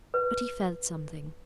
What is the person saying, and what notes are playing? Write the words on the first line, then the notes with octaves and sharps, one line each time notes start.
But he felt something.
B4